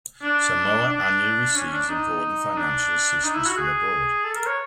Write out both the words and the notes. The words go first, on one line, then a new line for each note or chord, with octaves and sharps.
Samoa annually receives important financial assistance from abroad.
D4
D4
C#4
D4
D#4
D4
D#4
E4
F#4
G#4
A4
A#4
C#5